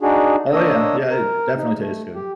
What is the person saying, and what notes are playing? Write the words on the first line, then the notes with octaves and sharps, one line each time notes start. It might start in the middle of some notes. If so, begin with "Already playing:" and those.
Oh yeah, yeah, it definitely tastes good.
D4 D#4 F#4 G#4
A#3 D4 C#5 D#5 D#6 E6
A#4
D#4
A3
G4